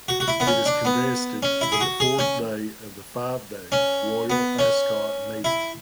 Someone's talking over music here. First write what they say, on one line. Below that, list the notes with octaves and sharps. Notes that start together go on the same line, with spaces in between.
It is contested on the fourth day of the five-day Royal Ascot meeting.
F#4
F#4
E4
B3
C#4
D4
B3
C#4
E4
G#4
F#4
G#4
C#4
C#4
B3
C#4
E4